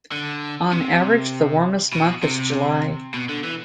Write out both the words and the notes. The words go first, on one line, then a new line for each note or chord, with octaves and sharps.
On average, the warmest month is July.
D3
C3
B2
C3
B2
D3
E3